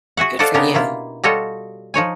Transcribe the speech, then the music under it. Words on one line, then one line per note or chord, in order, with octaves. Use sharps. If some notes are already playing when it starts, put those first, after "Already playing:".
Good for you.
F#4 G#4 E5 F#5
F4 A4 C5 D5 D#5 F#5
C#3 B3 D4 D#4 G4 A#4
B2 A#3 E4 F4
G3 F4 F#4 A4 C#5 D#5
F3 D#4 C#5 G#5